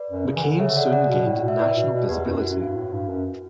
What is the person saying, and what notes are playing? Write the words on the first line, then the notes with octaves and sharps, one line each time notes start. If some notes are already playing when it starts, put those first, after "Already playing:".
McCain soon gained national visibility.
Already playing: B4 D5
F#2
C#3
E3
D3
C#3 C#5 E5
D3
C#3 D5 F#5
D5 F#5
B2
A2
B2
E5
A2 B4 D5
B2
B2
E2 G4 B4
F#2 E4
E4
F#2 F#4
G2
A2
G2
F#2